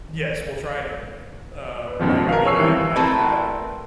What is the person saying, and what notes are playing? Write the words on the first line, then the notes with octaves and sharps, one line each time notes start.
Yes, we'll try it anyway. Um, like, I mean, I I've had,
B4
F#2 B2 D#3 F3
G#1 B2 F3
A#4 B4 F5
F3 C#5 G#5 C#6 E6 C7
E3 G3 C4 E4 F4
A3 C4 E4 G4 A#4 B4